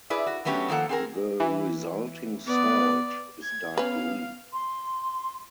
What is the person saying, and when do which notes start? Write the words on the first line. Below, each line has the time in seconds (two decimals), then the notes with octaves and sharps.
The resulting salt is dark green.
0.10 E4 G#4 B4 D5
0.26 F#4
0.45 F#3 A3 B3 C#4 G4
0.68 D#3 F3 A#3 A4 F#5
0.89 C4 G#4 A#4
1.40 E3
2.46 B3 B4 D5
3.43 G#6
3.77 B3 C#4 B4 F5
4.53 C6